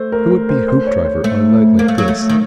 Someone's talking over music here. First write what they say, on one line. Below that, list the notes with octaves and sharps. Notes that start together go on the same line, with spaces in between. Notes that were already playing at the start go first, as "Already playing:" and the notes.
Who would be Hoopdriver on a night like this?
Already playing: A3 C5
A#4
A#4
C5
C5
C#5
C5
A3 C5
A#3
A3
F#3
A3
D#3